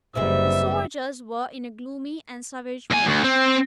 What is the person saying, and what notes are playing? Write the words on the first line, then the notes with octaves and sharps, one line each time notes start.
The soldiers were in a gloomy and savage mood.
F#1 C3 E3 G3 G#3 E5
E2 G#5
D2
C4